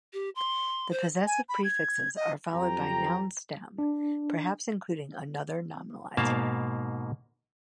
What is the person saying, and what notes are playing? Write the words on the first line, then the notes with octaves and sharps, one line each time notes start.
The possessive prefixes are followed by noun stem, perhaps including another nominalizer.
G4
C6
C5
G#5
B5
G#6
D#5
F2 F#3 C4 G4 G5 A#5
D4
G#2 B2 A#3 F5 A5